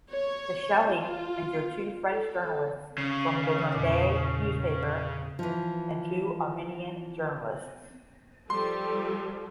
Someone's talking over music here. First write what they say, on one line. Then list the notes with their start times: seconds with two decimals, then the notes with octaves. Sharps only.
The shelling injured two French journalists from "Le Monde" newspaper and two Armenian journalists.
0.11 C#5
0.88 F4
2.06 A4
2.98 C#3
3.72 E2 A#2 D#5
5.39 E3 F3
8.50 F3 G3 A4 C6